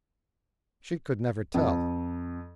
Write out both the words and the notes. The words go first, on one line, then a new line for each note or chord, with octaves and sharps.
She could never tell.
F2